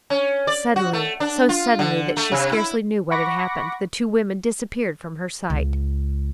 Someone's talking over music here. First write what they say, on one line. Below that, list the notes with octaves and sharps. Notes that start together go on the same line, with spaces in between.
Suddenly, so suddenly that she scarcely knew what had happened, the two women disappeared from her sight.
C#4
D5
F#4
A3
D4
F4
D3
A3
C3
E4
F#5 B5 C#6 D6 A#6
C#2